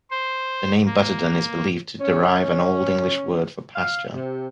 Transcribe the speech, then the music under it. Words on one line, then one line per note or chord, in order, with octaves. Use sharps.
The name Butterdon is believed to derive an Old English word for "pasture".
C5
A#3
C#4
F5
C3